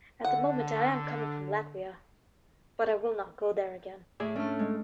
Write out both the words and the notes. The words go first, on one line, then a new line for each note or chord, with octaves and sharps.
At the moment I am coming from Latvia, but I will not go there again.
D3 F#5
A2 G#4 D5 E5
A3 C#4 D4 F6
G#3